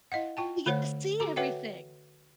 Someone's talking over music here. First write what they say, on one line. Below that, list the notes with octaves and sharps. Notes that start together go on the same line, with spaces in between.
You get to see everything.
E4 D#5 F5 F#5
F4 G5 A5
D3 A3 C5 C#5 F#5
F#4 A4 A#5
F#4 B4 C#5 E5 F#5 G5